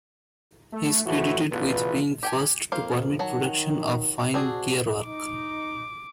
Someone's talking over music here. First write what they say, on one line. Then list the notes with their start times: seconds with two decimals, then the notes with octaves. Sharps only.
He is credited with being first to permit production of fine gear work.
0.73 A3
1.06 F2 A2 E3 A3 E4 F#4
1.51 A1 E2 B2 F4 B4
2.23 G4 G5 G#5
2.72 F2 A#3 C5 F5
3.19 D#3 F#3 F#4 A5
4.34 C4 D4 F#4 G#4
5.06 D#4 D6